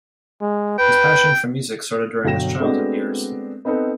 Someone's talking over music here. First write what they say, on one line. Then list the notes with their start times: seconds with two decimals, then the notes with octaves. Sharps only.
His passion for music started during his childhood years.
0.41 G#3
0.78 B4 G5
2.24 G1 B2 F#3 G5 A#6 E7
2.60 G#3 A3 B3 C4 D4 F#4
3.65 B3 C4 D#4 A4 B4